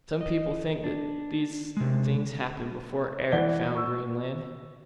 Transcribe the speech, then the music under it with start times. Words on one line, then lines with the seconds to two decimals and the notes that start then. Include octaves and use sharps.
Some people think that these things happened before Eric found Greenland.
0.21 D#5
0.84 D4
1.77 C3 G#3
3.32 E3 D5 F#5 G7
3.75 C#6 E6